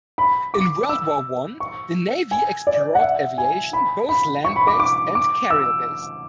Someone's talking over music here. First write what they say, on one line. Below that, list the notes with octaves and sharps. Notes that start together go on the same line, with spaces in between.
In World War One the Navy explored aviation, both land-based and carrier based.
B5
D6
E6
C#6
G#5
D5
F#5
E5
G#5
B5
B5
C#6
B5
D6
D6
D6
E6